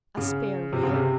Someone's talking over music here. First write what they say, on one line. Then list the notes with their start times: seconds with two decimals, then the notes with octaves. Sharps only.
"A spare wheel?"
0.17 C#3
0.73 C3
0.83 C#3
0.94 C3